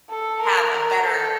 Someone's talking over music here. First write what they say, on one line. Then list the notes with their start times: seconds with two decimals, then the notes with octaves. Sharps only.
have a better
0.10 A4
0.42 A#4
0.73 A#4
1.05 A4